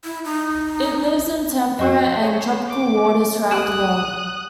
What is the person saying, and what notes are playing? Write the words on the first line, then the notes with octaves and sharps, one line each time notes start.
It lives in temperate and tropical waters throughout the world.
E4
D#4
F2 C4 F#4 C5 D#5 C#6
G#4 C#5
D6
G4 D#6 F#6 D7